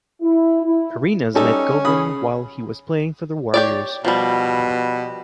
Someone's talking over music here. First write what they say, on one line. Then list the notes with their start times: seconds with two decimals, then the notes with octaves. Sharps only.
Arenas met Govan while he was playing for the Warriors.
0.21 E4
0.63 E4
1.35 G3 C#4 D#4 A4
1.85 C#3 B5 D#6
3.54 G4 C#5 D5
4.05 B2 F3 G3